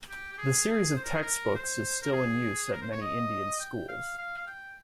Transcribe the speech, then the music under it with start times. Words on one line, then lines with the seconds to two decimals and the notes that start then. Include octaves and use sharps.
The series of textbooks is still in use at many Indian schools.
0.10 G4
0.33 G4
0.39 G#4
0.68 G#4
0.96 C5
1.05 A#4
1.14 G#4
1.22 A#4
1.56 C5
2.03 A#4
2.13 G#4
2.72 A#4
2.82 C5
2.92 C#5
3.02 D#5
3.60 G5
3.89 F5
4.19 F5
4.38 F5
4.47 G5